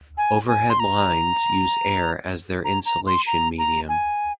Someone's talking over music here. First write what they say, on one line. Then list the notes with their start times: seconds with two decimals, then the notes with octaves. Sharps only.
Overhead lines use air as their insulation medium.
0.18 G#5
0.48 G#5
0.70 C6
0.80 A#5
2.65 A#5
2.86 A#5
3.06 C6
3.27 A#5
3.58 A#5
3.89 G#5